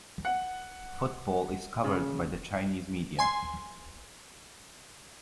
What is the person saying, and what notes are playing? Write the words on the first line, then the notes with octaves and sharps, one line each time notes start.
Football is covered by the Chinese media.
F#5
C#3
G#5 C6